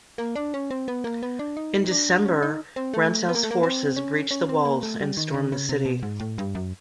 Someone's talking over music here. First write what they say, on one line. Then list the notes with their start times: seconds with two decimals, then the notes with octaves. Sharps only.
In December, Rantzau's forces breached the walls and stormed the city.
0.18 A#3
0.35 D4
0.54 C#4
0.71 C4
0.88 B3
1.04 A#3
1.23 B3
1.39 D4
1.57 D#4
1.91 D4
2.26 C#4
2.43 D#4
2.76 C4
2.94 A3
3.29 B3
3.35 A#3
3.43 A3
3.51 A#3
3.63 C4
3.96 C#4
4.31 C#4
4.49 C4
4.65 A#3
4.83 A3
5.01 G3
5.17 D#3
5.34 D3
5.52 C#3
5.69 C3
5.85 B2
6.03 G#2
6.20 A2
6.38 G2
6.55 F#2